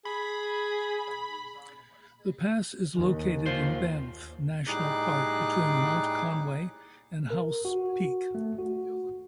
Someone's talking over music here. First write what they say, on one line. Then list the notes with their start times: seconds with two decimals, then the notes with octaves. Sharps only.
The pass is located in Banff National Park, between Mount Conway and Howse Peak.
0.05 G#4 B5
2.95 D#2
3.46 A#3 F4 C5
4.67 A2 G3 D#4 G#4 D6 F#6
7.30 A#4
7.65 F#4
8.35 A3
8.58 F#4